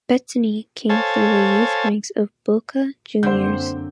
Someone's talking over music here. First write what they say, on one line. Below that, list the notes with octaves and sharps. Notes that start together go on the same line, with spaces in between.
Bettini came through the youth ranks of Boca Juniors.
A4 C5 C#5 F5 G#5 A5
F#2 D3 A#3 C4 C5 G6